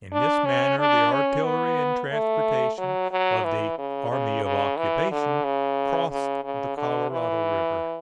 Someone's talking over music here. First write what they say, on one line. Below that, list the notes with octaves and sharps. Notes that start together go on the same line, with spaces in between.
In this manner the artillery and transportation of the "army of occupation" crossed the Colorado River.
D4
C#4
D4
C#4
B3
A3
F#3
F#3
E3
C#3
C#3
C#3
E3
D3
C#3
C#3
C#3
D3
E3